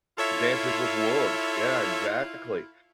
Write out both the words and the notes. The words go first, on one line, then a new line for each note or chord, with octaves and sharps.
Dances with Wolves, yeah, exactly.
E4 F4 A4 C#5 E5